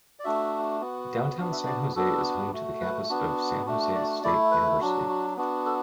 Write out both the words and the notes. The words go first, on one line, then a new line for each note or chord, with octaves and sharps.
Downtown San Jose is home to the campus of San Jose State University.
D5
A3 D4 F#4 E5
B3 F#4
B3 D4 F#4
E5
D5
B3 D4 F#4 A4
A3 F#4
B4
B3 D4 F#4
A3 D4 F#4
D5
A3 E4 D5
B4
F#3 D4 F#4
F#4
B3 D4 F#4
A4